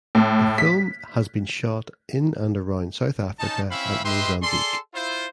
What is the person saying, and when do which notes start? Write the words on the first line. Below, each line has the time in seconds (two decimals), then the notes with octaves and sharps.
The film has been shot in and around South Africa and Mozambique.
0.15 A2
0.58 B6
3.39 C#4 D#4 A5
3.71 C4 C#4 E4 E5 F5 B5
4.04 G4 B4 D#5 E5 C6
4.42 G#4 A4 D5 C6
4.94 E4 F4 C5